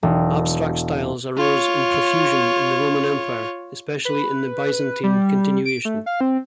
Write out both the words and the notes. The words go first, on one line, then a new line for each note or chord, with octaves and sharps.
Abstract styles arose in profusion in the Roman Empire, especially in the Byzantine continuation.
E1
F4 C#5
B4
G3
D7
A3
F5
C4